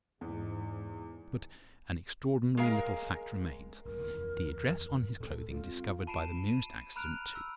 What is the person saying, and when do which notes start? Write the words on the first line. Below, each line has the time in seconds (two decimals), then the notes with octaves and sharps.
But an extraordinary little fact remains: the address on his clothing discovered by the merest accident, too.
0.21 E2 G#2
2.57 G#3 A#4 F5
3.85 F#1 C#2 G2 A#4
3.97 F1 D#2 E3
5.20 A2 A4
5.51 G3 F4
5.64 C4
6.07 A5 B5 C7 D7 E7
6.47 D#7
6.96 A#5 B5 F6 F#6 D7 F7
7.35 E6